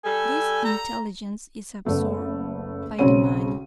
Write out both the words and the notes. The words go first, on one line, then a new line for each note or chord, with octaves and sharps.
This intelligence is absorbed by the mind.
G3 A4 G#5
A#5
F#1 A3 B3
B1 C#3 C4 C#5 D#7